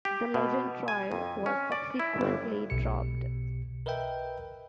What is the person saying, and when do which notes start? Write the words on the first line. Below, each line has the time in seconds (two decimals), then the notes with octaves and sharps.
The "Legend" trial was subsequently dropped.
0.05 G4
0.34 B2
0.88 G#5
1.12 F2
1.46 C#4
1.72 D5
1.99 E4
2.21 G1
2.70 B1 B2 G4 C#7
3.86 A#4 B4 D#5 E5 G5